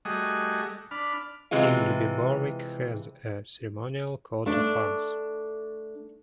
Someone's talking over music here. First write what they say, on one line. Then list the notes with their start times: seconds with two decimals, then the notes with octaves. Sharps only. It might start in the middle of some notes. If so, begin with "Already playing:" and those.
Ingleby Barwick has a ceremonial Coat of Arms.
0.05 G3 A3 F#4 G#4 D#5
0.91 D4 B5 F6
1.51 C3 E3 G#3 F4
4.46 A3 D4